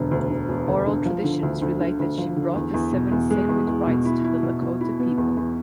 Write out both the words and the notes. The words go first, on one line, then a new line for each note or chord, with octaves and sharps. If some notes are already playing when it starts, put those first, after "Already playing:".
Oral traditions relate that she brought the "Seven Sacred Rites" to the Lakota people.
Already playing: E1 D2 D3
D2
D3
E1
D2
D3
F3
D3
D2
D2
D3
D2
F3
D3
E2
E2
B2
E2
G#3
E2
E2
B2
E4
E4
B2
B2
E4
B3
E2
E2